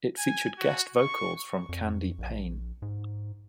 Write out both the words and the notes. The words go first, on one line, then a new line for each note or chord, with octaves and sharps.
It featured guest vocals from Candie Payne.
G#5
F#4
C#6
F2
A#1
G#2